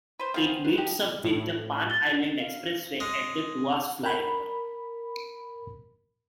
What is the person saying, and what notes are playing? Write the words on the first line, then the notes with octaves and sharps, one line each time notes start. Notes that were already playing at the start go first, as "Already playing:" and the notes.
It meets up with the Pan Island Expressway at the Tuas Flyover.
B4 C5
D#3 F3 B3 C5 F5 G#5
F4 B4 C5
D#4 G4
A2
A6 G7
F5
G#3
A#4 B5